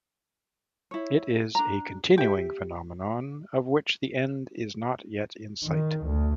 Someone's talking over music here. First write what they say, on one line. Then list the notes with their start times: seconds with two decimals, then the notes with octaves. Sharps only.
It is a continuing phenomenon of which the end is not yet in sight.
0.91 E4 C#5
1.55 D4 A#5
2.18 G4 E5 G5
5.63 D#3
6.05 D2